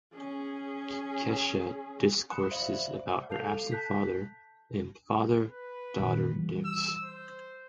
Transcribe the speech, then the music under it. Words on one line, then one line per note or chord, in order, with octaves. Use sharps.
Kesha discourses about her absent father in "Father Daughter Dance".
C#4 G#4
B5 C6 D#6 F#6 C#7 E7
C5 D5 E5 F5 B5 F#7
A4 F5 A5 G6 C7 F7
A5 F#6 G6 B6
B4
A#2 D#3
E3 G3
E6
C5